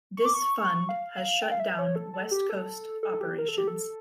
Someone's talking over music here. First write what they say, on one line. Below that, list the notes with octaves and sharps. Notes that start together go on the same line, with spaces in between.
This fund has shut down West Coast operations.
C#6
D6
C#6
F5
G5
F5
E5
C#5
A4
A4
G4
A4
A4
G4
A#4
A4
G4
A4